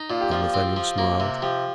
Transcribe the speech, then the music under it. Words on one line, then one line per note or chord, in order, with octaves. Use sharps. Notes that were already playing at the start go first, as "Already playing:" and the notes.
Sir Nathaniel smiled.
Already playing: D#4
A#2 F4
G4
F3 F4
C4
F3
A#3
C3
F3 G4